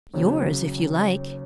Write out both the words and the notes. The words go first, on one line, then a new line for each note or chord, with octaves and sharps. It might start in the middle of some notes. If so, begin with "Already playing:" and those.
"Yours, if you like."
D#2 C#3 F#3